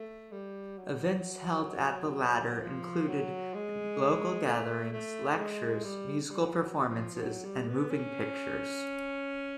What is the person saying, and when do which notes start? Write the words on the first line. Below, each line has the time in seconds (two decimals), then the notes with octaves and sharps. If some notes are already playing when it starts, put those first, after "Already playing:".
Events held at the latter included local gatherings, lectures, musical performances, and moving pictures.
Already playing: A3
0.32 G3
0.78 F#3
2.62 F3
3.09 F#3
3.54 G#3
4.46 A3
4.92 A3
5.38 G#3
5.84 G3
6.30 G3
6.40 F#3
6.50 F3
6.61 F#3
6.76 F3
6.83 F#3
6.90 F3
7.15 F3
7.22 F#3
7.45 G3
7.68 B3
7.91 C#4